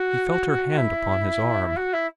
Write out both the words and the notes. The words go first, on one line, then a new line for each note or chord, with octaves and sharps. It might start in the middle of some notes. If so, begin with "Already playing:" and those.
He felt her hand upon his arm.
Already playing: F#4
E4
F#4
E4